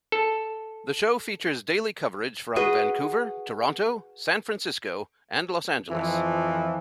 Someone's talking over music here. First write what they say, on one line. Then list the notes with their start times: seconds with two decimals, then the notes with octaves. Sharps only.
The show features daily coverage from Vancouver, Toronto, San Francisco and Los Angeles.
0.12 A4
2.56 F#4 G#4 B4 D#5
5.90 F2 E3 F3